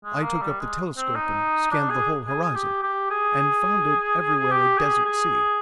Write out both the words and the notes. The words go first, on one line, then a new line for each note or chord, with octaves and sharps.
I took up the telescope and scanned the whole horizon, and found it everywhere a desert sea.
G#3
A#3
G3
G#3
C4
D#4
D4
G#4
G#4
G#4
G4
G4
G#4
G4
G#4
G#4